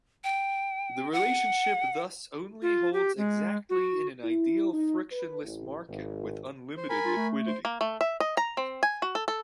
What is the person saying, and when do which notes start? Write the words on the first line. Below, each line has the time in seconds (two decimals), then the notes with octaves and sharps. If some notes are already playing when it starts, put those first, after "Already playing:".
The relationship thus only holds exactly in an ideal frictionless market with unlimited liquidity.
0.24 G5
1.13 F#5
2.62 F4
2.93 G4
3.17 G#3
3.70 F#4
4.24 E4
4.73 D#4
5.12 B4
5.43 A1
5.89 G#1
6.77 C5
6.89 A#4 G#5 B5
7.04 F4
7.17 A3
7.47 C5
7.65 A#3
7.81 A3
8.01 E5
8.20 D#5
8.37 A#5
8.57 C4
8.83 G#5
9.02 F#4
9.15 A4
9.28 A4